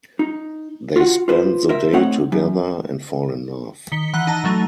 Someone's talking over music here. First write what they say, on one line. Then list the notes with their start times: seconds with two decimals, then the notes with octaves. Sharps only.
They spend the day together and fall in love.
0.19 D#4
0.96 F4 F#4 F#5
1.28 F4 B4 C5
1.69 A#4 C5 E5
1.93 A3 C4 D#4 C#5 F#5
2.32 F#2
3.92 D#3 B6 C#7 G7
4.13 E3 F#5 A#5 F#6 G7
4.27 D#4 A5 A#5
4.44 E3 F#3 A3